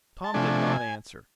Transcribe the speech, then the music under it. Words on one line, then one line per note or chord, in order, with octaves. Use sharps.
Tom did not answer.
A5
C3 F3 A3 D4 G#5